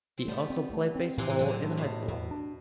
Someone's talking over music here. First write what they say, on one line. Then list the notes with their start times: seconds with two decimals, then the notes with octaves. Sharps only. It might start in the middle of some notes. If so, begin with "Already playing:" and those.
He also played baseball in high school.
0.18 C4
0.28 G3 A3 B3
0.50 C4
0.73 A3
0.95 C4
1.17 A2 C3 E3
1.30 E3
1.39 D3 F#3
1.49 C3
1.63 A2
1.77 B2
1.85 A2
2.08 E2 B2
2.31 D4